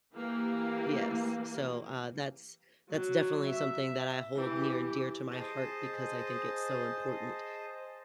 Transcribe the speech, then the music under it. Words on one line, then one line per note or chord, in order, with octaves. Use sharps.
Yes. So, uh, that's, that's definitely something that I hold near and dear to my heart because I think it's so important
E3 A#3 G4
F#3
E5
E3 G4
G#4 C5 D#5 A5